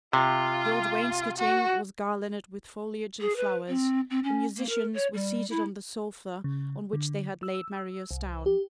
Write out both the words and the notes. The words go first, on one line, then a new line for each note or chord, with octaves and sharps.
The old wainscoting was garlanded with foliage and flowers; the musicians were seated on the sofa on which they had laid Marius down.
C3 F4
F#4
G#4
B4
C4
C4
C#4
A#3
A#4
C#5
G3
E4
C#3
D3
E6
C2
G4